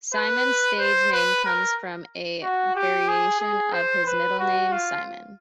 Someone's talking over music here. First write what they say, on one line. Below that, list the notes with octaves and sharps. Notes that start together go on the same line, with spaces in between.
Cymone's stage name comes from a variation of his middle name, Simon.
B4
C5
B4
A#4
F#4
G4
G#4
G#4
C5
B4
F#4
F4